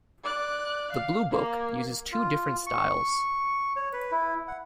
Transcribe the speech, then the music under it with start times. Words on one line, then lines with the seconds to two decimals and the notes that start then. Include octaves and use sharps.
"The Bluebook" uses two different styles.
0.23 D5 F#6
0.92 F5
1.31 A#3
2.13 F4
2.66 C#6
3.76 C#5
3.93 B4
4.12 E4
4.48 F#5